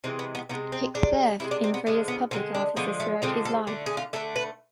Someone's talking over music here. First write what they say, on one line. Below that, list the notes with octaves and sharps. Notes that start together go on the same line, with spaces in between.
Hicks served in various public offices throughout his life.
C3 E3 G#3 C4
B3
B3
C3 E3 G#3 B3
C4
C3 E3 G#3 D4
C3 E3 G#3 E4
D4
C4
B3
D3 F3 G#3 A3
B3
D3 F3 G#3 C4
D4
D3 F3 G#3 B3
A3
D3 F3 G#3 C4
A4
D3 A3
G#4
F4
D3 A3 A4
B4